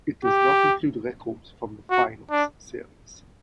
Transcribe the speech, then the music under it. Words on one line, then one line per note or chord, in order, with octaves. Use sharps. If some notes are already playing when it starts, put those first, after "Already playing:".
It does not include records from the finals series.
G4
F#4
D4